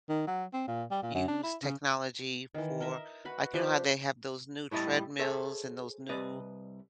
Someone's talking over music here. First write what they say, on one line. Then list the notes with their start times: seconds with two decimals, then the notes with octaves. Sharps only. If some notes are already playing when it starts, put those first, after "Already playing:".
use technology for like, you know how they have those new treadmills, and those new,
0.09 D#3
0.27 F#3
0.53 C4
0.67 A#2
0.91 G3
1.03 A#2
1.14 F#2
1.28 D4
1.43 E4
1.62 C#3
2.54 D#3 E3
2.80 A#4 D#5 E5
3.25 F#4 B4 B5
3.54 F3 D4 G4 D6
4.71 A2 G3 E4 D#5 A5
5.19 G#4 A4 C5 C#5 E5
6.09 C2 B4 D5 D#5